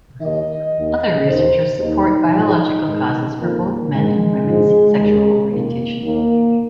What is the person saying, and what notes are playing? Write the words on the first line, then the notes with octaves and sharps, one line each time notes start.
Other researchers support biological causes for both men and women's sexual orientation.
D#2 D#3 D#5
D#2 D#3
D#2 D#3 C5
D#2 D#3 D#4
G#2 F3
G#2 D#3
F2 F3 A#3
G#2 D#3 G#3
G#2 F3
D#2 D#3
F2 D#3 A#3
D#2 D#3 A#3